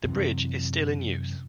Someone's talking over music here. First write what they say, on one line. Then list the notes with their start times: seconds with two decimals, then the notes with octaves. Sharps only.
The bridge is still in use.
0.04 F#2 C3 E3